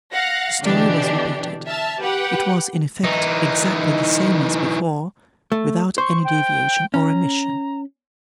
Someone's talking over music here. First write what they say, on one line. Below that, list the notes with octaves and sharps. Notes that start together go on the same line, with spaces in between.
The story was repeated; it was, in effect, exactly the same as before, without any deviation or omission.
F5 F#5 A#6
B2 D3 E3 D4 G4
E5 A5 F6
G4 B4 F#5 G5
E3 D#4
A3
C5 C#6
G5
C#4 A#5